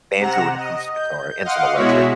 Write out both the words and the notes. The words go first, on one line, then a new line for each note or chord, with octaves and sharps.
banjo and acoustic guitar, and some electric.
C3 F#5 A#5 A#6 E7
D#5
G6
D#5 F5 F#5 C6 D6
B2 G#3 E4 F#4 C#5 B6